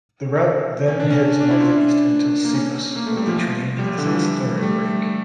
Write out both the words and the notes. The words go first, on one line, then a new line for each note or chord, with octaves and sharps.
The route then heads north-east until Sivas, where the train has its third break.
C#4
D4
C#4
D4
E4
F4
D4
A#3
C#4
A#3
A3
G3
F3
F3
G3
D3
E3
F3
G3
A3
G3